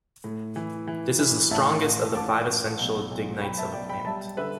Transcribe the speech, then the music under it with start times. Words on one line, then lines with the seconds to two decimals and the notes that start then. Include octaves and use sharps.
This is the strongest of the five essential dignities of a planet.
0.24 A2
0.56 E3
0.87 E3
1.19 E3
1.51 A1 E5 A5
1.84 A1
2.15 A1 A5 D6
2.47 A1
2.78 B1
3.11 B1
3.42 B1 G5 B5
3.57 E5 A5
3.74 B1 D5 G5
3.89 G5 B5
4.06 G3 E5 A5
4.37 D3 B4 E5